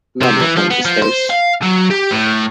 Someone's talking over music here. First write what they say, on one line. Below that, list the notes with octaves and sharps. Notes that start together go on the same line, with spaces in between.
None were flown to space.
C3
E3
F3
B3
F3
C5
F5
F#3
G4
A2